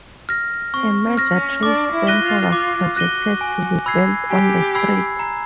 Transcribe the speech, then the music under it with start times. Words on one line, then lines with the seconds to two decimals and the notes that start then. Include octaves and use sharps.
A major trade center was projected to be built on the street.
0.29 F6 A#6
0.73 C4 C#6
1.03 C4
1.17 F6 A#6
1.32 C#4
1.63 D4 D6
1.93 E4
2.07 F#6 A#6 D#7 G7
2.22 F4
2.52 F4 D6
2.96 F#4 F#6 A#6 D#7 G7
3.41 G#5
3.86 B5 E6 G#6 C7
4.30 G4 G#5
4.75 B5 E6 G#6 C7
5.20 A#5